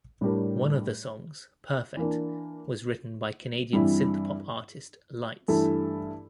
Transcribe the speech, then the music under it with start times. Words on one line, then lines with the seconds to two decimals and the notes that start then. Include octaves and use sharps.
One of the songs, "Perfect," was written by Canadian synth pop artist Lights.
0.21 A2 G3 D4 G4 A#4
1.97 E3 A#3 D4
3.73 G2 E3 G3 C4 E4
5.48 G2 E3 A3 E4 A4